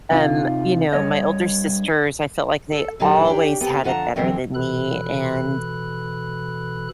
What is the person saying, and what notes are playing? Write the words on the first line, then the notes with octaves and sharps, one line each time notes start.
um, you know, my older sisters, I felt like they always had it better than me, and
C3 D#4 F4
G2 G#3 C#5 D#5
A4
A#2 D3 F#3 D#4 G4 A5
C#4 D4 G4
B3 C4 G4 A4
F2 D3 F4 F#5 A5 A#5
D3 E3 F#3 G#3 C4 C#4
B2 E3 A4 B5 F#6